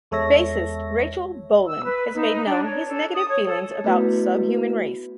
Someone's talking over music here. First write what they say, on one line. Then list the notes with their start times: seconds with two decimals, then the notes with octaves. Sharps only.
Bassist Rachel Bolan has made known his negative feelings about "Subhuman Race".
0.11 E2 G#3 A4 C#5 E5 A#6
1.67 E6
1.85 B4
2.14 D#4
2.46 D4
2.64 C#5
2.88 A4
3.14 D#6
3.29 C#5
3.46 A4
3.84 A3 B3 E4 F#4 B4